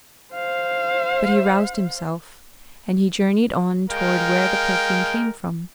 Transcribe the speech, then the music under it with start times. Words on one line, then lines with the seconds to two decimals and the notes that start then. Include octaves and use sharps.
But he roused himself, and he journeyed on toward where the perfume came from.
0.34 C5 F5
3.89 G#3 A#4 F5 G5